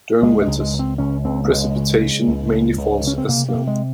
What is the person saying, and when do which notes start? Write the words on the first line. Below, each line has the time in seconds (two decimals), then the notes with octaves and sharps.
During winters, precipitation mainly falls as snow.
0.22 C#2 G#3
0.42 G#3
0.47 C#2
0.60 G#3
0.73 C#2
0.79 C4
0.98 C#2 C#4
1.25 C#2 C4
1.45 A#3
1.50 C#2 G#3
1.75 C#3
2.00 C#3
2.27 C#2
2.52 C#2
2.77 C#2
3.03 C#3 C#4
3.18 C4
3.29 C3 A#3
3.49 A#3
3.54 C3
3.67 G#3